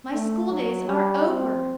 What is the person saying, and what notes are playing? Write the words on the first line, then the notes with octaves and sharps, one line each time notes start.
My school-days are over!
A3
F#3
G3
C4